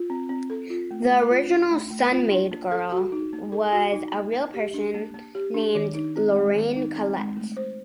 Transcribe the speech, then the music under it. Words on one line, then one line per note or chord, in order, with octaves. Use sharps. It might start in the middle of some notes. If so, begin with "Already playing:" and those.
The original "Sun-Maid Girl" was a real person named Lorraine Collett.
Already playing: F4
C4
C4
A4
F4
A3
A3
F4
D4
A3
A3
F4
D4
A#3
A4
F#4
D#4
A#3
A4
F#4
D#4
A#3
A#3
G4
D4
A#3
A#3
G4
D4
D#3
D#4
C4
G#3
D#3
D#4
C4
G#3
A3
C5